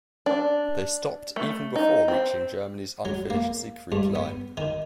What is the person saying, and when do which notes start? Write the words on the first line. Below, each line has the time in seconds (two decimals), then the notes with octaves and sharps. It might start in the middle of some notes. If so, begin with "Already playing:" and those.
They stopped even before reaching Germany's unfinished Siegfried Line.
0.26 D4
1.36 A3
1.76 D#4
2.08 C4
3.05 F#3
3.30 A#3
3.92 G2
4.15 B3
4.57 D#3